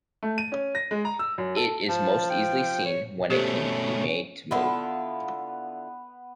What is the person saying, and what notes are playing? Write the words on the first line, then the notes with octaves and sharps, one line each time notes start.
It is most easily seen when it can be made to move.
A3
D#7
C#4
A#6
G#3
A#5
E6
F#2
A4
F3 A5
G5
C#5
B2 A3 C#4 G4 A4 C5
D3 B3 E4 F4